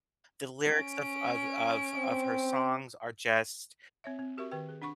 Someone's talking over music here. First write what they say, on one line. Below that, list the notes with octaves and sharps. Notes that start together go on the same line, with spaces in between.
the lyrics of of of of her songs are just,
C#4 D7
C4
C4 C#5 E5
C4
F#4 G4 A#4 E5 C#6
D#3 G4 B4 G5
G#4
D4 F#5 B5 C#6